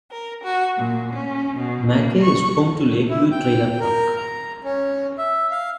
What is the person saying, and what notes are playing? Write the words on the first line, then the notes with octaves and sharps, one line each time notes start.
Mackey is home to Lakeview Trailer Park.
A#4
F#4
A#2
C#4
B2
A#3
C#6
E4
G5
A#4
A#5
C#4
E5
F5